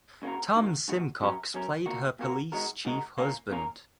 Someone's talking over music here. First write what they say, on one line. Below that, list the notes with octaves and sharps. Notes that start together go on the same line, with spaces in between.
Tom Simcox played her police chief husband.
C#3 A#3 F#4 A#4
G#2 D#3 A#3 F#4
G#2 D#3 A#3 F#4
F#2 F#3 C#4 A#4
F#2 F#3 C#4 A#4
A#2 A#3 F#4 A#4
A#2 A#3 F#4 A#4
G#2 G#3 F#4 A#4
G#2 G#3 F#4 A#4
A#2 A#3 C#4 A#4
A#2 A#3 C#4 A#4